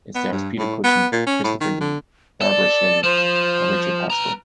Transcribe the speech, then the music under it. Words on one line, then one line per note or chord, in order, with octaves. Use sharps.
It stars Peter Cushing, Christopher Lee, Barbara Shelley and Richard Pasco.
B3
G2
A2
B3
A#2
C#4
A2
D#3
D3
A4 D5
F3 C5
B4 A#5